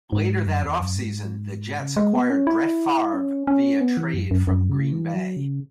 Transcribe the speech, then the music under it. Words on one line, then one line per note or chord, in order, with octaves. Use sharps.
Later that offseason, the Jets acquired Brett Favre via trade from Green Bay.
G#2
F#2
E2
F#2
G#2
C#3
G#3
B3
C#4
E4
C#4
C#4
B3
E3
F#2
F#2
F#2
C#3
E3
F#3
C#3